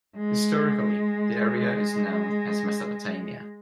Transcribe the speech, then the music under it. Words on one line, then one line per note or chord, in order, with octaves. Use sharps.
Historically, the area is known as Mesopotamia.
G#3